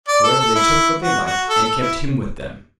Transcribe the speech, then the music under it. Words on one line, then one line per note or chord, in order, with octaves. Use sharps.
However they took what they liked, and kept him with them.
D5
A4
A4
E4
F#4
F#4
A4
A4
E4